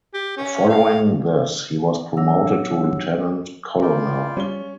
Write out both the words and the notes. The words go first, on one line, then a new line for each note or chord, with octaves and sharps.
Following this he was promoted to lieutenant colonel.
G4
C#4
F5
F#3 D4 C#5 F#5 E6
E4 F4 D5 G5
G3 C#4 G7